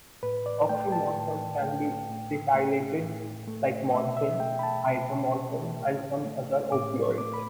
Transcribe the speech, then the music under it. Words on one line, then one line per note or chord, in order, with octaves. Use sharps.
Oxymorphone can be acetylated like morphine, hydromorphone, and some other opioids.
A2 B4
D5
A3 G5
A5
A2
A3 G5
A2
A3
A2
A3
B2 E5
E5
A3 G5
B5
A5
B2
A3
A2
A3
A2 D6
A3 D6
B5